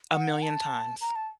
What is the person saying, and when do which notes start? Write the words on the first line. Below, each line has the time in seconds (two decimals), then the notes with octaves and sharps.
A million times.
0.13 F#5
0.42 A5
1.01 A#5
1.16 A5